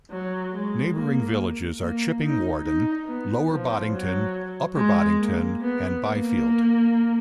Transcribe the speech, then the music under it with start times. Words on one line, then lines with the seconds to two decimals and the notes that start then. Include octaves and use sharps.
Neighbouring villages are Chipping Warden, Lower Boddington Upper Boddington and Byfield.
0.11 F#3
0.53 G#3
0.95 A#3
1.80 A#3
2.23 D#4
2.65 D#4
3.06 B3
3.49 F3
3.91 F#3
4.76 G#3
5.19 A#3
5.61 B3
6.03 A#3